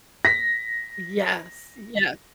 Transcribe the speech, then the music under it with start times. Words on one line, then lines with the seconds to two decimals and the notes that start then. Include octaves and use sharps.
Yes, yeah.
0.25 A#6 B6